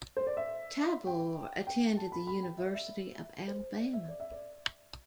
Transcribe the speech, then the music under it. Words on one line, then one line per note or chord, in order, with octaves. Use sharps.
Tabor attended the University of Alabama.
C5
D5
E5
G5
G5
A5
B5
B5
G5
E5
D5
E5
C5
D5
E5
D5
E5
D5